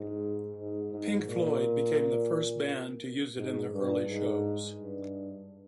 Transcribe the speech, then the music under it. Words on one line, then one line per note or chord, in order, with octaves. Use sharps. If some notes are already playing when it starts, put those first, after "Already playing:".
Pink Floyd became the first band to use it in their early shows.
Already playing: G#2
G#2
G#2
A#2
G#2
G2
G#2
G2